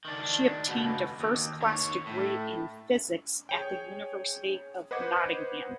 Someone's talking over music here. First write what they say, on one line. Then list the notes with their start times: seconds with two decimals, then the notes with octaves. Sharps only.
She obtained a first class degree in Physics at the University of Nottingham.
0.05 D#3 D4
0.67 C#2 B2
1.20 D#2
1.61 D#3 C#5
2.06 A2
3.49 G#4 C#5 G5
4.91 B4 C5 D#5 F#5 D6 G#6